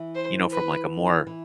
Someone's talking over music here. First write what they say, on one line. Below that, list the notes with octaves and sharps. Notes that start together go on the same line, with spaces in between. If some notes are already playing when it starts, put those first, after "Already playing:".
you know, from, like, a more
Already playing: E3
C5
B4
E3